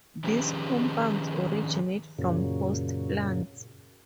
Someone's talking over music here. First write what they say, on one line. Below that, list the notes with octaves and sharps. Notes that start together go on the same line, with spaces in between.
These compounds originate from host plants.
D#3 F3 C#4 G4 G#4 B4
F#2 A#2 C#3